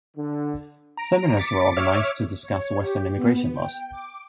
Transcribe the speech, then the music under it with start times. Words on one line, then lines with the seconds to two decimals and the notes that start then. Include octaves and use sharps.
Seminars were organized to discuss Western immigration laws.
0.17 D3
0.97 A#5 D7
1.37 D6 A6 B6 C#7
1.77 C#5 E5 D6 F6
2.42 C#5
2.80 G4
3.16 B3
3.52 G5
3.91 D6